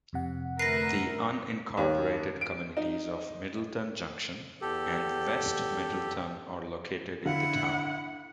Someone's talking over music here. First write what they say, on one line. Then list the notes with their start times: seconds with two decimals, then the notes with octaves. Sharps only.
The unincorporated communities of Middleton Junction and West Middleton are located in the town.
0.13 F2 C3 F#5
0.59 D2 A#4 B4 E5 A#6 C7
1.77 D#2
2.41 D7
2.77 D#4
4.61 E2 G4 A4
7.25 D3 E4 F5 F#5